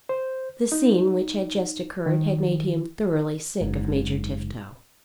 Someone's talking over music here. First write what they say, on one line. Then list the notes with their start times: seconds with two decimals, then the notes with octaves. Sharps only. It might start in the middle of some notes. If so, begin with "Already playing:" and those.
The scene which had just occurred had made him thoroughly sick of Major Tifto.
0.09 C5
0.72 D#4
2.06 D#3
3.61 F#1 G#2